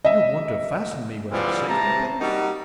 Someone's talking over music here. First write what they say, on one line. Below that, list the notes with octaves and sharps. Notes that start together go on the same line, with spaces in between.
"You want to fasten me with a safety-pin?"
D#5 E5
D3 E3 F3 G3 G#3 C4
A2 C3 E3 A5 A#5
G3 A#3 D#4 F#4